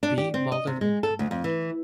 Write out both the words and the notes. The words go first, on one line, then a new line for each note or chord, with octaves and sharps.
B. Mallard in command.
D4
G4
C4
D#5
C3
G#3
A4
D2
F2
E3